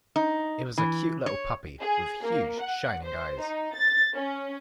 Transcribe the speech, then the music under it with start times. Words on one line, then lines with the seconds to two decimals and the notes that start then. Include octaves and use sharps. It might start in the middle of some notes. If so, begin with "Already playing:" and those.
It was a cute little puppy, with huge shining eyes.
0.16 D#4
0.78 E3
1.26 C#5
1.80 G#4
2.24 A#3
2.59 F#5
3.03 C5
3.41 D#4
3.75 A6
4.14 C#4